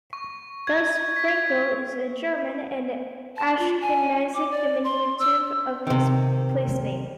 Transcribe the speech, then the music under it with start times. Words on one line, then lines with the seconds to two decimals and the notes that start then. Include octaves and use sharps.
Thus Frankel is a German and Ashkenazic diminutive of this placename.
0.13 C#6
0.67 G#6
1.16 B6
3.37 A5
3.59 F4
3.81 G#5
4.34 D6
4.51 D5
4.84 C6
5.19 E6
5.87 C3 D#3